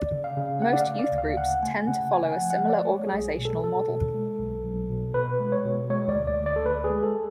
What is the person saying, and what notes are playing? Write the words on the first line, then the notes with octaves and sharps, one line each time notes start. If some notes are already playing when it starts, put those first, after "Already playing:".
Most youth groups tend to follow a similar organizational model.
Already playing: D5
C#3
F5
C#3
A3 F#5
D5
F5
C#3
D5
D2
F5
C#3 F#5
A3 G#5
C#3 F#5
A3 G#5
F#5
F3
F#5
A3
D5
G#3 C#5
G#4
B1
B2
A4
B2 A4
B2
G#3
B1
B1
B2
B2 B4
G#3
C#5
B2
G#3 C#5
D5
D2
D5
D2
D5
A4
D2 B4
G#4
G#3
A4